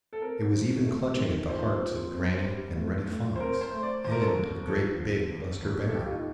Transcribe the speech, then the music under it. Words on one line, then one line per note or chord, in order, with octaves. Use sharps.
It was even clutching at the hearts of Granny and Reddy Fox and of great, big Buster Bear.
A4
C4 A#4
D#2
A3
D#3
A#2 C5
A#2
C4
G3
A2
A2
C5
C4 A#4
C5
A3
D5
D#2 C5
A#4
A4
A#4
D#2
F3 A4
D3
D#2
D#2
A4
G3 G4
F4
D#4